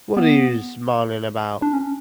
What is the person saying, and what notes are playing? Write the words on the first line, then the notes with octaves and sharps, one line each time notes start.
What are you smiling about?
B3
D4
C#4